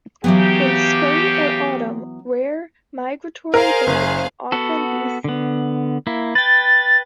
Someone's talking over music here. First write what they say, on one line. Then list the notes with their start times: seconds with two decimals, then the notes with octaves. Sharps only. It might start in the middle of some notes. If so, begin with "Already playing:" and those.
In spring or autumn rare migratory birds can often be seen.
0.24 C#3 E3 F#3 B3 G4
3.54 G#4 A#4 C5 F5
3.87 F#1
4.52 B3 F#4 A4
5.24 D3 B3
6.07 A#3 E4
6.35 B4 G5 A6